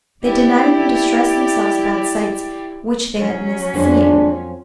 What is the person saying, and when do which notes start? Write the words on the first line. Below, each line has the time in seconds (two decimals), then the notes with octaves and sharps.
They did not even distress themselves about sights which they had missed seeing.
0.23 E4 G4 D5
3.15 F#3 C#4
3.74 F2 A#2 G#3 D4 C5 G#5